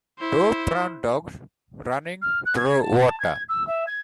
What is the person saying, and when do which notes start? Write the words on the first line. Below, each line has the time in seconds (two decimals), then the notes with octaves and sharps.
Two brown dogs running through water.
0.19 E4 C5
2.22 F6
2.45 F#6
2.57 G#6
2.81 A5
2.98 A5
3.20 G#6
3.49 E6
3.67 E5
3.87 G#6